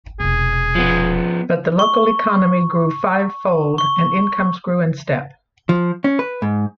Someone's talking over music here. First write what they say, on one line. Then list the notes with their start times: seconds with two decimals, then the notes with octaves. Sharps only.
But the local economy grew fivefold, and incomes grew in step.
0.20 E1 C3 G#4
0.75 F3 B3
1.79 C#6
3.78 C#6
5.69 F3
6.04 C#4
6.19 B4
6.42 G#2